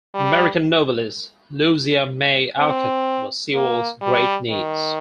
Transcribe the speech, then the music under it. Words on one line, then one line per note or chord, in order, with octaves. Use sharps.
American novelist Louisa May Alcott was Sewall's great niece.
G3
C4
A#3
G3
D#3